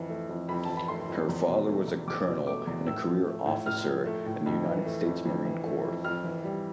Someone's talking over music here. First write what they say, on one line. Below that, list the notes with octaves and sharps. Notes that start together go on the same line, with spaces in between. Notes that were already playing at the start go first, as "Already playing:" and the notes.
Her father was a colonel and career officer in the United States Marine Corps.
Already playing: F2 E3
A3
F2
F2 B5
E3 A5
B5
A3 C6
F2
E2
B2
A3
E2
E2 D6
B2
A3 D6
E2
A2 E6
F3
A3
A2
A2 F6
F3
A3
A2
F2
E3
A3
F2
F2
E3
A3
F2
F2 F6
E3
G3